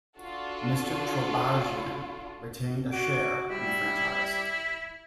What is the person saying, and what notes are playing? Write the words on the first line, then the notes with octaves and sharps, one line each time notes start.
Mr. Chorbajian retained a share in the franchise.
D4 F4 F#4 A4
F#4 D6
G3 E4